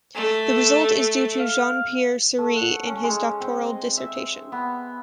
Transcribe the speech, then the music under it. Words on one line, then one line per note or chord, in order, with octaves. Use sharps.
The result is due to Jean-Pierre Serre in his doctoral dissertation.
A3
F5
A3
F#5
C#4
G#3
C4
D#5
E5
B3